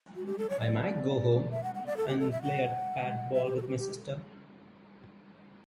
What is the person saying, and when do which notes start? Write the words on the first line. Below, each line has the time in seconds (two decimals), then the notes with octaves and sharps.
I might go home, and play at patball with my sister.
0.16 F#4
0.26 G4
0.38 A4
0.50 C#5
0.61 D5
1.51 E5
1.63 F#5
1.75 F#5
1.86 D5
1.97 A4
2.08 G4
2.19 A4
2.31 E5
2.42 F#5
3.34 E5
3.45 G4
3.57 A4
3.62 F#4
3.68 G4
3.79 G4